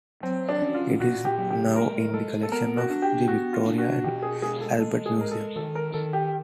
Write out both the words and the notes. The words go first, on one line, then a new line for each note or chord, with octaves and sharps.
It is now in the collection of the Victoria and Albert Museum.
F#3 C4
D4
C#4
F4
A#2 F#4
G4
F#3
G4
G#3 A#4
G#3 A4
A4
B3 A#4
F#4
D4
G4
B3 F#4
F4
D4
F#4
B2 G4
G#4
G#3 G#4
A4
G#3 A4
G#4
G#3 A#4
A4
D#3 A4
A#4
D#3 A4
G4